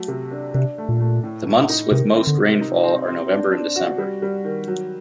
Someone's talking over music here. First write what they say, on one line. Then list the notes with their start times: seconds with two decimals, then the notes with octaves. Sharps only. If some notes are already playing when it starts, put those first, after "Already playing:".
The months with most rainfall are November and December.
Already playing: F#3 A3
0.08 C3
0.31 D4
0.54 C3 D4
0.78 A3
0.89 A#2
1.00 A3
1.23 A2
1.46 A2
1.69 D#4
1.92 C3 D#3
2.15 C4
2.27 D3
2.38 C3
2.61 D#4
2.83 C4
3.07 C4
3.30 D4
3.52 D4
3.76 F#4
3.98 G3
4.22 G3
4.44 D#3
4.67 F#3